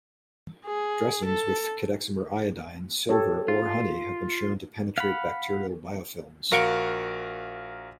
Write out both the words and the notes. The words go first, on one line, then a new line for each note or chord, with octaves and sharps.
Dressings with cadexomer iodine, silver, or honey have been shown to penetrate bacterial biofilms.
G#4
A4
G4 A4 C#5
F4
F5 F#5 B5
A#1 F#4 A#4 F5 C#7 D7